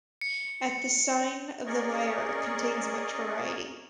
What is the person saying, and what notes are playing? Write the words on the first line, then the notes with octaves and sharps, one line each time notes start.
"At the Sign of the Lyre" contains much variety.
C#7
C#4 G#4 A#4 D5 D#5 C#6